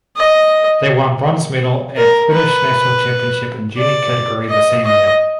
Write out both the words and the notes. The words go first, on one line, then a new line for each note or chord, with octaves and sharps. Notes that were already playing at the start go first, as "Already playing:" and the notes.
They won bronze medal at Finnish National Championship in junior category the same year.
D#5
A#4
B4
D5
D#5
D#5